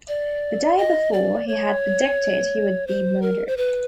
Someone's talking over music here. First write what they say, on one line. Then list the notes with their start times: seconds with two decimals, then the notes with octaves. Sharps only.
The day before, he had predicted he would be murdered.
0.08 D5
0.77 D#5
1.13 D5
1.48 C#5
2.87 C5
3.22 A#4
3.47 C5
3.57 B4